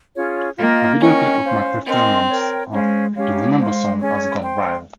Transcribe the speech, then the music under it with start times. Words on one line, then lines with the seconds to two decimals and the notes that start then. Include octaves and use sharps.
A video clip of my performance of "The Remember Song" has 'gone viral.
0.15 C#4 F4 G#4 C#5
0.58 A#3 F4 A#4 D#5 G5
1.01 C#4 A#4 D#5 G5 C#6
1.44 C5 F5 C6
1.86 C4 A#4 D#5 G#5 C6
2.29 A#4 C#5 G5
2.72 G#3 C#4 G#4 C5 F5
3.15 G#3 C#4 G4 C#5 F5
3.58 C5 F5 C6
4.00 C#4 G#4 C#5 G#5
4.43 C5 G5 C6